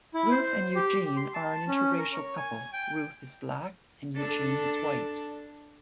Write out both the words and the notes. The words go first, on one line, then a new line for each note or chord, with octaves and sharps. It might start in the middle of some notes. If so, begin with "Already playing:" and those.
Ruth and Eugene are an interracial couple; Ruth is black and Eugene is white.
E4
C5
G4
C6
A5
C#4
A#4
C#5
G#5
G5
D4 A4